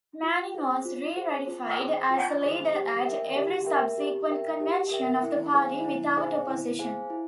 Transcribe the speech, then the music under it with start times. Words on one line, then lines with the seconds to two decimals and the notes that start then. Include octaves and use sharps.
Manning was re-ratified as leader at every subsequent convention of the party without opposition.
0.23 F4
0.54 G#4 C5
0.85 F4
1.16 G#4 C5
1.48 F4
1.79 G#4 C5
2.10 F4
2.42 G#4 C5
2.73 G4
3.04 A#4 E5 G5
3.36 G4
3.66 A#4 E5 G5
3.98 G4
4.29 A#4 E5 G5
4.60 G4
4.91 A#4 E5 G5
5.23 E4
5.54 G#4 C5 F5 G#5
5.85 E4
6.17 G#4 C5 F5 G#5
6.48 E4
6.79 G#4 C5 F5 G#5
7.10 E4